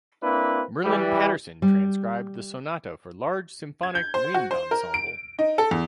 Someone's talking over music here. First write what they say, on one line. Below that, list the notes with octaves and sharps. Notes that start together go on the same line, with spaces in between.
Merlin Patterson transcribed the sonata for large symphonic wind ensemble.
A#3 C4 D4 E4 B4
E3 G3
G3
G#6
G6
C5
F#4
C5
A#4
D7
D#4
A4
E2